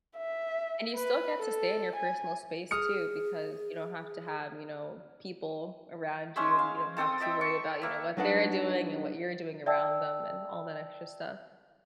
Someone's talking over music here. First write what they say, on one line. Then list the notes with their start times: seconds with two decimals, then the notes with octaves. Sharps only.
And you still get to stay in your personal space too because you don't have to have, you know, people around you, and you don't have to worry about, you know, what they're doing and what you're doing around them and all that extra stuff,
0.17 E5
0.96 B4
1.42 A4
1.96 G#5
2.71 G#4 D#6 F6 C#7
6.36 G#3 C#4 C5 E5
6.59 F5
6.97 C4 A4 G5 D#6
7.20 D#5 E5 G5
7.41 C#6
7.82 A#3 E5
8.17 F#3 G3 D4 D#4 B4 F#5
9.66 D5 E5 G5 A5 E6